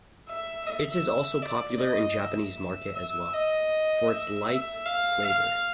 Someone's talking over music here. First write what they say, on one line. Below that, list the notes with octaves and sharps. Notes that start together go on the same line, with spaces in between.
It is also popular in Japanese market as well, for its light flavor.
E5
E5
D5
D#5
E5
E5
D#5
E5
E5
F5
F5